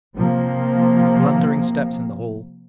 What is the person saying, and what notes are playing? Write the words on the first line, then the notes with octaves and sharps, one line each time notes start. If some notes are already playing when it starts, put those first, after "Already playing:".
Blundering steps in the hall.
C3 F3 A#3